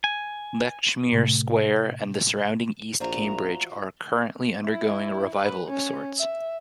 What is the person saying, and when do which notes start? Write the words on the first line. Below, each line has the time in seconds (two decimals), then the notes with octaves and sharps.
Lechmere Square and the surrounding East Cambridge are currently undergoing a revival of sorts.
0.04 G#5
1.12 A2 C3 A3
3.00 A#1 F4 F#4 C5 D5 E5 A#5
4.65 E4
5.35 B4
5.68 C#4
6.18 E5